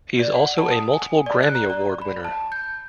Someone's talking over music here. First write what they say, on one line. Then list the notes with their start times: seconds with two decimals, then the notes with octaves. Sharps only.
He is also a multiple Grammy Award winner.
0.19 D5
0.35 F#5
0.58 A5
0.71 D#6
0.93 G#5
1.26 D5
1.43 F#6
1.55 A#5
1.70 D5
2.02 B5
2.24 A5
2.52 G6